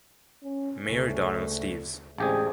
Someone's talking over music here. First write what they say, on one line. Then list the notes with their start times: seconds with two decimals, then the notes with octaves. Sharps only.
Mayor Donald Steeves.
0.43 C#4
0.85 D2 C#3 A3
2.18 A1 D3 G#3 C4 G4 G#4